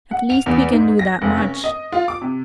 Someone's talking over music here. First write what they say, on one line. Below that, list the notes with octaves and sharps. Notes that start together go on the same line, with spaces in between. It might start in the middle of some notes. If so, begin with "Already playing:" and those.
At least we can do that much.
F#5
F7
E2
G#2
A#6
F1
C#4
D#5
F4
D6
C3